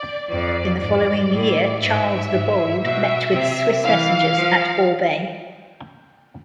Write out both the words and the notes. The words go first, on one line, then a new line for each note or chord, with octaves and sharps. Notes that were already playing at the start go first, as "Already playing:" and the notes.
In the following year, Charles the Bold met with Swiss messengers at Orbe.
Already playing: D5
F2 D5
G#2 D5
A2
G#2 E5
G#2
B2 E5
C3
E3 F5
F3